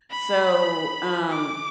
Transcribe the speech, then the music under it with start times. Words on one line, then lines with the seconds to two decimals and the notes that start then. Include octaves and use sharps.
So, um,
0.10 B5
1.29 D6